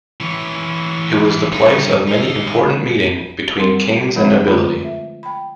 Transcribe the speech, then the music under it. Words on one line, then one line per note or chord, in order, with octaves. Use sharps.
It was the place of many important meeting between kings and nobility.
E3 C#5
G2 D#4
D#4 F5
G3 C4 A#4 C6
D3 F3 G#3 C4 C#5 E5
D3 A3 F4 B4 A#5
E5
G5 B5